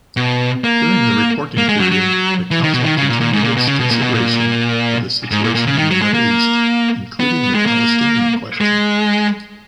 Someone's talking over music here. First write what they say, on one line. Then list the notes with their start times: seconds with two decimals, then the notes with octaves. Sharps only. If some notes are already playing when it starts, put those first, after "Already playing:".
During the reporting period, the Council continued its consideration of the situation in the Middle East, including the Palestinian question.
0.17 B2
0.64 A#3
1.58 A#3
1.69 G#3
1.80 F#3
1.92 F#3
2.51 E3
2.63 D#3
2.74 B2
2.82 C#3
2.85 D#3
2.98 C#3
3.09 A#2
3.21 A#2
3.33 G#2
3.44 A#2
3.57 B2
3.67 C#3
3.79 B2
3.91 A#2
4.02 B2
4.14 A#2
5.31 G#2
5.44 A#2
5.55 A#2
5.67 C#3
5.78 D#3
5.91 F#3
6.02 G#3
6.14 A#3
7.20 B3
7.55 G#3
7.66 A#3
8.61 G#3